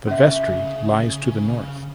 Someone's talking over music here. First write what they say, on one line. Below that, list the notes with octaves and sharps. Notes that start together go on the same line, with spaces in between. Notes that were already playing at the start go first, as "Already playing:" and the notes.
The vestry lies to the north.
C#3 C#4 E5